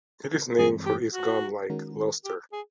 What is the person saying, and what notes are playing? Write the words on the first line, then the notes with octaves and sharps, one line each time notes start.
It is named for its gum-like luster.
G2 E3 G#3 C4 G#4
G4
F#4
D#3 G#3 C#4 F#4 A#4
G4
G#4